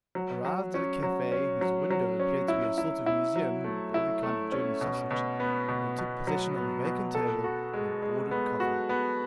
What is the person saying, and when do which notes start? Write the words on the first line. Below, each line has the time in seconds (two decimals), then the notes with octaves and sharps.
Arrived at a cafe whose window appeared to be a sort of museum of every kind of German sausage, they took possession of a vacant table and ordered coffee.
0.15 F#3
0.45 F#3
0.74 C#4
1.03 F#3
1.32 C#4
1.61 F#3
1.91 F#3
2.20 C#4
2.48 E4
2.78 E4
3.06 E4
3.36 F#3
3.64 A3
3.94 E4
4.23 A3
4.52 C#4
4.81 B2
5.11 B2
5.40 B3
5.69 B2
5.98 B2
6.27 F#3
6.56 B3
6.85 B2
7.15 A4
7.44 F#4
7.73 G#3
8.02 G#3
8.31 B3
8.60 F#4
8.89 B3